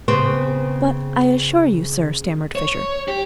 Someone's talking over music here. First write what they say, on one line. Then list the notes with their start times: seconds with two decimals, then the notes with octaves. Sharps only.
"But I assure you, sir,--" stammered Fisher.
0.08 C#3 B3 C4
2.55 C#5
3.08 G4